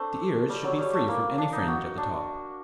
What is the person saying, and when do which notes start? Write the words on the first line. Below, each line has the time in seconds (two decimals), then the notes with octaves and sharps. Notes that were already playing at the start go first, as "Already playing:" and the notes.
The ears should be free from any fringe at the top.
Already playing: A3 C4 D4
0.49 G3
0.64 F#3
0.79 G3
0.93 A3
1.08 A#3
1.38 D4
1.53 D#4
1.68 F#4
1.98 D4